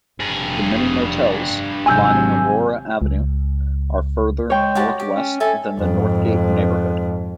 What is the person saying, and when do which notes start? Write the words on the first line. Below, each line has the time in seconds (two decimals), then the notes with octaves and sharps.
The many motels lining Aurora Avenue are further northwest than the Northgate neighborhood.
0.20 F1 G2 G#4
1.86 G#1 C3 F#3 G#5 E6 G6
3.02 C#2
4.50 G#3 C#5 G5
4.75 F#4 G4 A5
5.00 G4
5.16 C#4
5.40 A4 E5 G#5 A5
5.79 F2 G#2